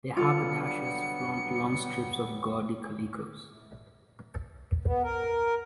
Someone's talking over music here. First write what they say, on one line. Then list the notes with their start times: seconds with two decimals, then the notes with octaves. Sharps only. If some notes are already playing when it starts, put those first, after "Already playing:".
The haberdashers flaunt long strips of gaudy calicoes.
0.17 F#3 G3 B3 D4 F4 A4 F5 C#7
4.85 B3
5.03 A#4